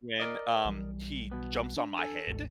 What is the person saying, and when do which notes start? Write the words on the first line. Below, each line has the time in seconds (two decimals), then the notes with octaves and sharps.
when, um, he jumps on my head
0.20 A#4 D5 D#5
0.65 B1 E3 G3
1.32 B2 B3
1.76 D4
1.97 A4 G#5
2.27 G#1 D2 G#2